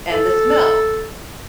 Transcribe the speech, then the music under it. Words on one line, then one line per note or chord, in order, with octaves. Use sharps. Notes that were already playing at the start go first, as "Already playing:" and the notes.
And the smell.
A4